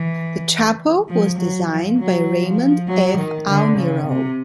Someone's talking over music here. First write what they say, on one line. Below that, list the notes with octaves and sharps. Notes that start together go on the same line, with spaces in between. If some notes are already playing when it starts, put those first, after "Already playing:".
The chapel was designed by Raymond F. Almirall.
Already playing: E3
F3
F#3
F3
F#3
F3
F#3
D#3
D3
C#3
C3